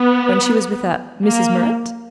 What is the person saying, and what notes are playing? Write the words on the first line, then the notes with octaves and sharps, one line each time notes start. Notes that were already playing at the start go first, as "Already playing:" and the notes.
"When she was with a Mrs. Murrett?"
Already playing: B3
A#3